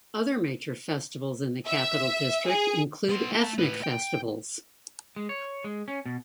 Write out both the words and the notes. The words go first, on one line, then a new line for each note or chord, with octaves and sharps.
Other major festivals in the Capital District include ethnic festivals.
E5
G#4
B3 C6
A3 A5
A2 B4
G5
G#3
C#5
G#3
C#4
B2